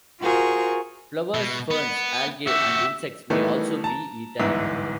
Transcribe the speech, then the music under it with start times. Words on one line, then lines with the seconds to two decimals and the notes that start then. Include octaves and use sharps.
Flowers, ferns, algae and insects may also be eaten.
0.21 F4 F#4 G#4 A#4 C5 C#6
1.34 B2
1.71 B3
2.48 F#4 G4 E5
3.30 D#3 E3 G3 A3 B3
3.84 A5 A#5
4.39 D1 G1 G#2 E3 E5